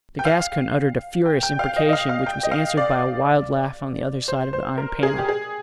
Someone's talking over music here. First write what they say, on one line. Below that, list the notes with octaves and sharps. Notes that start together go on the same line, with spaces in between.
The Gascon uttered a furious imprecation, which was answered by a wild laugh on the other side of the iron panel.
G5
F5
G5
G5
F5
D#5
D#5
F5
F5
G5
D#5
F5
D5
C5
C5
A#4
G#4
G4
G#4